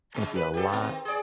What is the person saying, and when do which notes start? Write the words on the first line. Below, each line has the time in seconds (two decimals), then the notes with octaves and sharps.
it's gonna be a lot
0.14 C#3 G#3
0.36 B4
0.54 G4 A4
0.68 F#2 B2
0.81 D#3 C4
1.05 G#4 D5